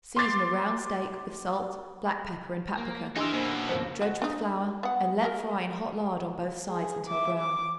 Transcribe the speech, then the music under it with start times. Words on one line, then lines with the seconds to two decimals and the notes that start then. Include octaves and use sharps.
Season a round steak with salt, black pepper and paprica; dredge with flour and let fry in hot lard on both sides until brown.
0.16 C6 D6 A6 C7
2.77 A#3
3.16 E3 D4 D#4 G4 A#4 D#5 C6 E6
3.33 F#2 B2 A#3 C5 G#5
3.69 D#2 C#3 F3 A#3 C5 C#7
4.02 F#4
4.22 D4 D#4
4.83 B3 F#5
5.25 A#4
6.68 G#4
7.07 E5 D6
7.39 D6